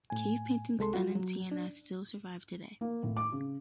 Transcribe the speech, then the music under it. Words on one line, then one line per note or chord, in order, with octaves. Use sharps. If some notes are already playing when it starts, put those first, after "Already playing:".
Cave paintings done in sienna still survive today.
A2 G#5
C2 G#3 A4 C6
F#3 F4 F#4
F#3
D4
A#3
A2
D6
C#3